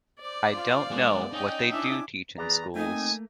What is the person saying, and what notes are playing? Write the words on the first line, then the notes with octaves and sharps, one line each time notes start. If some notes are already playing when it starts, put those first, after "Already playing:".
I don’t know what they do teach in schools.
C5 D5 D6
F4 F5
G#3 B3
C#4 D#4 D#5 G5
D4 E4 E5 G#5 D6
E2 G#4 B4 D5 A#5
A3 A#3 C4 D#4 G#5